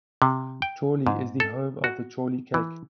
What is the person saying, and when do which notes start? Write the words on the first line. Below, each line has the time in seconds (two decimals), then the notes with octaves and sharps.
Chorley is the home of the Chorley cake.
0.22 C3
0.62 G5
1.07 G#2
1.40 A4
1.84 F#4
2.54 E3